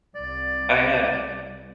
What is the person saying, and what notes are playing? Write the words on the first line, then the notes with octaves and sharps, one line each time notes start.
I, uh
C2 D5